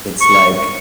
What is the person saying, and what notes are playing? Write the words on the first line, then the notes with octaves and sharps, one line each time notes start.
it's like,
C#6